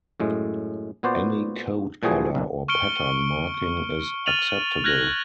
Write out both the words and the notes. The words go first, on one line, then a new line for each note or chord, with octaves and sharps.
Any coat colour or pattern marking is acceptable.
F#2 A2 G#3
A#2 B3 F#4 C5 D5
A#2 E3 F3 G3 F#4 G#4
B1 F#2 B2
C#6 F6 C#7 D7 G7
F6 A6 D#7 F7 F#7
F6 F#6 G#6 A#6 F#7